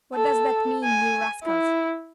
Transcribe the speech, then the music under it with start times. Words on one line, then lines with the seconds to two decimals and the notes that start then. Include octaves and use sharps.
What does that mean, you rascals?
0.14 A4
0.84 G#5
1.43 E4